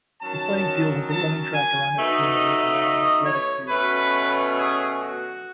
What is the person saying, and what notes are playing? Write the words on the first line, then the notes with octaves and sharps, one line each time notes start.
The playing field has a running track around its perimeter allowing athletics use.
D#3 F#3 C#4 A5
A5
G#5
B2 A3 D#4
D#5
C#5
B2 A3 C#4 B4
G#4
F#4